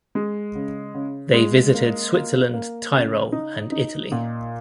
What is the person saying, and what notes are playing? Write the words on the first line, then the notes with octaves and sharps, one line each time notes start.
They visited Switzerland, Tyrol, and Italy.
G#3
C#3
C#3
G#3
A#3
A#3
A#3
C#3
D#4
D#4
A#2